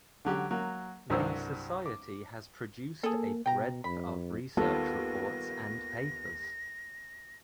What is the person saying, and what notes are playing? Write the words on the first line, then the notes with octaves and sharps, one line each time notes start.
The society has produced a breadth of research reports and papers.
D3 F#3 G4
F#3 A#3
C2 G2 F#3 D4 C5 E6
D6
A#3 G#4 A4
B2 G5 A#5
F2 B5
D#2 D#3 G3 B3 F4 A4 A#6